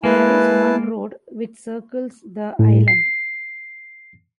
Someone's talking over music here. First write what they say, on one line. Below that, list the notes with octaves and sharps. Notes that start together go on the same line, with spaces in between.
There is one road which circles the island.
G#3 A#3 E4 B4 G#5 A5
A2
C7